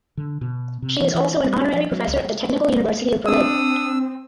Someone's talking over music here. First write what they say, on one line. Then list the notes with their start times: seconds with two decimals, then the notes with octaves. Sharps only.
She is also an honorary professor at the Technical University of Berlin.
0.17 D3
0.41 B2
0.82 C3
1.01 E3
1.15 E3
1.46 G3
1.74 F3
1.91 F#3
2.08 C#2
3.27 C4 D4 D#6 E6